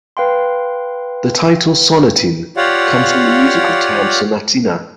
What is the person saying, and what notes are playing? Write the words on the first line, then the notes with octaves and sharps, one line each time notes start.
The title "Sonatine" comes from the musical term sonatina.
B4 F5 G5 C6
F4 G4 C#5 D5 F5 F#5